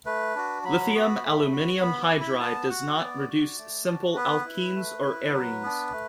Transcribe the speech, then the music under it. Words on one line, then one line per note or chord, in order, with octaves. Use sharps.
Lithium aluminium hydride does not reduce simple alkenes or arenes.
A3 B4
D4 F#4
F#3 B5
B3 F#4
A3
F#4
B3 B5
D6
E4
B5
B3 A5
F#4 F#5
B3 D5
F#4
A3
D4 F#4
B3 B4
E4
A3
E4
F#3
B3 D4
A3